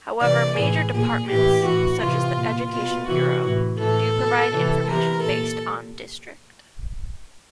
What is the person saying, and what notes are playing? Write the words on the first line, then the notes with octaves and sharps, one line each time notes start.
However major departments, such as the Education Bureau, do provide information based on district.
C3 E3 D5
A2 E3 G#4
A#2 G#4
A2 E3 G4
A2 E3 F#4
C3 E3 F4
A#2
B2 F4
C3 E3 F#4
A2 E3
A2 E3 A4
B2
C3 E3
C3 E3 A#4
A#2 A4